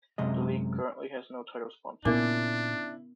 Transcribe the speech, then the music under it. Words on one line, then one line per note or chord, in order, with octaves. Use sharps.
The league currently has no title sponsor.
F#2 C3 G#3 D#5
A#2 C#3 B3 D4 E4 A#4 D6